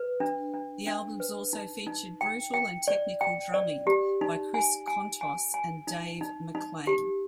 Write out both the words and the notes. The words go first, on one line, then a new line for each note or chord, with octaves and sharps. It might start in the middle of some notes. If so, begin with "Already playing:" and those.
The albums also featured brutal and technical drumming by Chris Kontos and Dave McClain.
Already playing: B4
D4
D4
D4
B4
D#4
D#4
G5
G5
D5
G5
D5
G4
D#4
G#5
G#5
G#5
G#5
D#4
D#4
D#4
G4